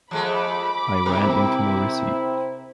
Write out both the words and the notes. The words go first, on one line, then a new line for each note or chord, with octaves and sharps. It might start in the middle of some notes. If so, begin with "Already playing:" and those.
I ran into Morisi.
F3 G#3 A3 B5 D6
C3 C4 E4 A#4